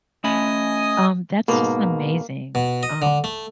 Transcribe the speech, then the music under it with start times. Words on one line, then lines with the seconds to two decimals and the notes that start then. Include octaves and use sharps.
um, that's just an amazing, um,
0.24 A3 C#4 D#5 G#5 B5 D#6
1.48 G#2 B2 A#3
2.55 B2
2.83 D#5
3.02 D3
3.24 A3